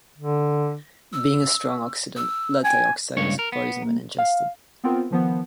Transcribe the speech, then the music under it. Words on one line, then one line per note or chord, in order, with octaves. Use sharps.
Being a strong oxidant, lead dioxide is a poison when ingested.
D3
E6
E6
G5 G#5
C#2 G2 C#5
A#4
B3
A#3
F5
B3 C4 F4 A#4
D#3 F3 B3